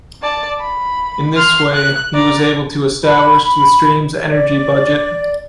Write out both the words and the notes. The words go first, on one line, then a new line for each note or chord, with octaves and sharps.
In this way he was able to establish the stream's energy budget.
D5 A5
B5
C6 F6
F#6
D5 A#5
B5
D5